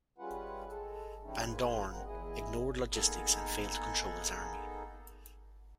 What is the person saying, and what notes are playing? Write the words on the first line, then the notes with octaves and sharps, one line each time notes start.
Van Dorn ignored logistics and failed to control his army.
G3 G#3 C#4 F4 B4 F#5
G#3 A4
G2 E3 G3 C#4 D#4 E4
A#3 F4 G#4 B4
G2 B2 C4 A#4 F#5
E2 E4 G#4 D#5
A#3 B3 D#4 G#4 A4